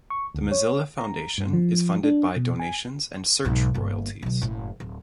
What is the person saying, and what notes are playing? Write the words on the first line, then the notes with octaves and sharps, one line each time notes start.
The Mozilla Foundation is funded by donations and "search royalties".
C#6
D2
C#5
A#5
G2
F3
D4
B2
G#5
B1 G#2
G1 A#3
B1 D3
F#1 A2
D1